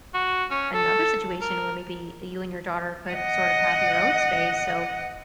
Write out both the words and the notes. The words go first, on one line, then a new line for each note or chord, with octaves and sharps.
another situation where maybe y you and your daughter could sort of have your own space so
F#4
C#4
A4
A#4
D#5 F#5